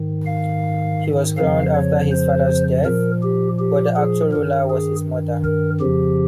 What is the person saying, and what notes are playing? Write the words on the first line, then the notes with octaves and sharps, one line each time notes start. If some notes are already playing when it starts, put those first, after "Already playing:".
He was crowned after father's death, but the actual ruler was his mother.
Already playing: G#2 D#3
F5
F2 C#3 F3 F5
C#5
C5
A#2 F3 A#4
G4
G4
G#4
G2 D#3 A#4
G#4
A#4
F2 C#3 F3 G4